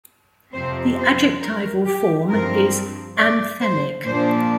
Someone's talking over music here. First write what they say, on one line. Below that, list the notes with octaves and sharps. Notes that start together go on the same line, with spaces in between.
The adjectival form is "anthemic".
F2 C3 F3 C4 C5
C5
A#4
G4
G2 F3 C4 A#4
D5
C5
A#2 F3 A#3 D4 C5